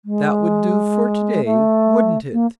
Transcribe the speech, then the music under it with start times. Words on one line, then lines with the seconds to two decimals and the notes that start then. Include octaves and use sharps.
That would do for to-day, wouldn't it?
0.05 G#3
1.45 A3
2.33 A#3